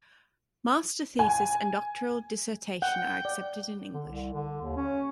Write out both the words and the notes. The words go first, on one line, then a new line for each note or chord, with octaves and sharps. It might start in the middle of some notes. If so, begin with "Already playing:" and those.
Master thesis and doctoral dissertation are accepted in English.
G#5
F#5 G5
D5
D3
C2
D3
D#2
C#4